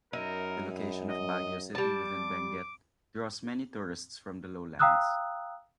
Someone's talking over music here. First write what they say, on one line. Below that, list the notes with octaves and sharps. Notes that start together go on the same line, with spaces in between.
The location of Baguio City within Benguet draws many tourists from the lowlands.
F#2 D#4 E4 A#4
D#5
G3 A5 D6
F5 G5 A#5 D#6 E6 F#6